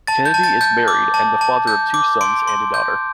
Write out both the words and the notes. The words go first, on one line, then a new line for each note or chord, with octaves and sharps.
Kennedy is married and the father of two sons and a daughter.
A5 A6
G6
A5
A6
G6
D6
A5
A5
G6
D6
C6 D7
C6
G6